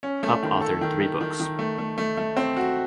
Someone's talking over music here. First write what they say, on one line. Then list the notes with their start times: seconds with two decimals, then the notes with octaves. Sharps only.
Cupp authored three books.
0.03 C#4
0.23 A3
0.43 D#3
0.61 A4
0.81 D#3
1.00 D#3
1.21 D#3
1.40 D#3
1.59 A3
1.78 A3
1.98 A3
2.17 A3
2.37 C4
2.57 F#4